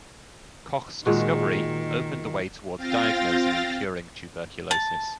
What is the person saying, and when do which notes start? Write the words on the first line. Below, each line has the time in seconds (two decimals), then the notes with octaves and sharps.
Koch's discovery opened the way toward diagnosing and curing tuberculosis.
1.06 A#2 D#3 G#3 F#4
2.77 C4 F4 F5 G5 A6 A#6
4.71 A5